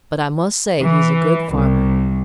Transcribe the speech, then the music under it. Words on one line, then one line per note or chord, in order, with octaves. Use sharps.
But I must say he's a good farmer.
E3
C2